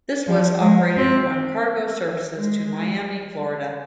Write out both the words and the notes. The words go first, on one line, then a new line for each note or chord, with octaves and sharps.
This was operated on cargo services to Miami, Florida.
F3
G#3
C4
G#3